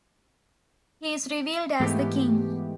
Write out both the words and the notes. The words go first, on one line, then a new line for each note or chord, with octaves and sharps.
He is revealed as the King.
G#2 E3 G#3 A3 B3 G4